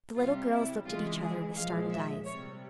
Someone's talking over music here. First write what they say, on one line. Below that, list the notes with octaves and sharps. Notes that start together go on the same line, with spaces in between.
The little girls looked at each other with startled eyes.
C3 G3 F4
E4
C#3 E3 G#3 F4
G#4
A#2 F3 G#3 F5
E5
C3 G3 C#5